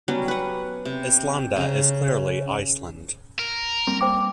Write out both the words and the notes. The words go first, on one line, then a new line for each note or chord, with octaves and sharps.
"Islanda" is clearly Iceland.
F#3 G3 B3 C#4
B4 F#5
C3
C#3 A#5
A#4
G3 A#3 C4
G3 A#3 C5 G5 D6